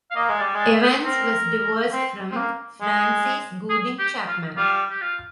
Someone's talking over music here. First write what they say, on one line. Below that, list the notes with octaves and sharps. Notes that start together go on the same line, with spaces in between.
Evans was divorced from Frances Gooding Chapman.
F5
A#3 D#5
G#3
D5
G3
G#3
D5
C5
C4 A#4
C4
C4
A#3
G#3
G#4
G4
F4
G3 F4
G4
F4